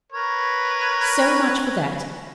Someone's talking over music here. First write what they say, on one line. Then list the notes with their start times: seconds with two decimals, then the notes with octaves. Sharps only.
So much for that.
0.12 A#4 B4 C#5